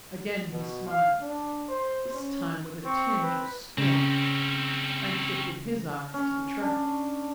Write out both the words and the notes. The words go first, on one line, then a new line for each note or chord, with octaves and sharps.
Again he smiled, this time with a tinge of scorn, and shifted his eyes to the track.
B2
F5
D4
C5
C#4
C4 C#6
B4
C#3 C4 C#4
C#4
D4